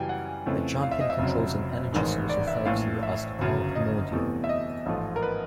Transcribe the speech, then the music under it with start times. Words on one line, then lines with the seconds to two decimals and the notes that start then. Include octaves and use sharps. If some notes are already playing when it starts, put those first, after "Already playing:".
The Champion controls an energy source referred to as the Power Primordial.
Already playing: F#2 C#3 E3 G3 G5 G#5
0.09 F#5
0.46 F2 C#3 E3 A3
0.83 F5
0.91 E5
1.01 D#5
1.10 E5
1.19 F1 F2 C#3 F#3
1.92 A1 G#2 D#3 G#3
2.29 D5
2.47 E5
2.65 A#1 A2 E3 F5
3.03 E5
3.39 G1 F#2 C#3
3.75 D#5
4.12 E2 C3 E3 A3
4.44 E5
4.49 D#5
4.86 A1 G#2 F3 A3
5.16 A#4
5.23 B4